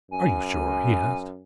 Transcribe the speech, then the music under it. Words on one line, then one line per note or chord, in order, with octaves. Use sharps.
"Are you sure?" he asked.
F#2 G#5